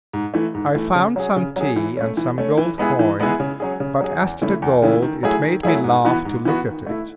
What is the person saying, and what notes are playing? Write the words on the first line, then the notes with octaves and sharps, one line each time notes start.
I found some tea and some gold coin; but as to the gold, it made me laugh to look at it.
G#2
E3 A3
G#2
E3 A3
C#3
F#3 C#4 G#4
C#3
F#3 C#4 G#4
E3
A3 C#4
E3
A3 C#4
E3
G#3 B3 E4 G#4
E3
G#3 B3 E4 G#4
C#3
F#3 C#4 G#4
C#3
F#3 C#4 G#4
E2
C#3 E3 A3 E4
E2
C#3 E3 A3 E4
D#3
F#3 A3 E4 G#4
D#3
F#3 A3 E4 G#4
G#2
E3 B3 F#4
G#2
E3 B3 F#4
D#3
A3 E4